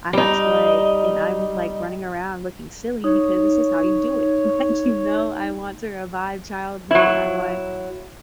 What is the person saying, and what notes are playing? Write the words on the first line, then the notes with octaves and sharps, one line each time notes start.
I have to, like and I'm, like, running around looking silly, because this is how you do it, like, you know? I want to revive childhood, I want
G3 D#4
D#4 C#5
F#3 E4